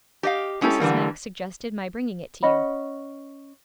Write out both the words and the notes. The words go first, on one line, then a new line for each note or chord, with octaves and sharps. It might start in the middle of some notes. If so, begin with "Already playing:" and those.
Mrs. Max suggested my bringing it to you.'
G4 D#5 F5
G#3 C#4 E4 G4 A4
D3 E3 G3 A#3
C#4 D#5 F#5 B5